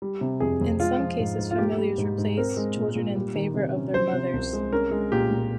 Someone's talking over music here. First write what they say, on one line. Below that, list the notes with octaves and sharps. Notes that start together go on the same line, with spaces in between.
In some cases familiars replace children in the favour of their mothers.
G3
C3
F2 G#4
F2
G#3 F4
F3
G#2
G#2
F4
A#3 G4
G3
G#2
G#2
C4 A#4
G#3
A#2
A#2
G3
D#3
C3
C#4
F3 C5
C3
C2
G#3
C#4 A#4
G#3
A#2 G4
A#2